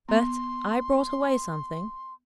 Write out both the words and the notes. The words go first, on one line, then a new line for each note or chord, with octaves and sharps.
But I brought away something.'
B3 C6